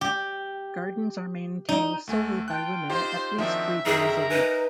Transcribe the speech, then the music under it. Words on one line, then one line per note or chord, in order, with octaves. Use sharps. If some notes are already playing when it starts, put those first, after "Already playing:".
Gardens are maintained solely by women, at least three days a week.
G4
D#4
D2 A3 G#5
F4 G5 A5 F#6
D#4 F4 G4 C5
D#3 F3 C4 D4 F#4 G#4 E5
F#2 D3 D#3 G#4 A#4 A#5
D#4 B4 G#5